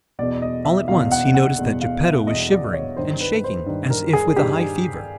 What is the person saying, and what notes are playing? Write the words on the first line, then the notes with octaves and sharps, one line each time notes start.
All at once he noticed that Geppetto was shivering and shaking as if with a high fever.
E2 B2 D5
D#5
E5
E2 B2 F5
F#5
F#5
E2 B2
F5
E5
E2 B2 D#5
D5
C#5
G2 D#3 C5
B4
C5
G2 D#3
A#4
G#4
G2 D#3 G4